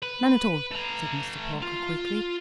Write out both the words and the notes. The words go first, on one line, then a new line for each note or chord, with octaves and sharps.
"None at all," said Mr. Parker, quickly.
B4
A3 A#5
F4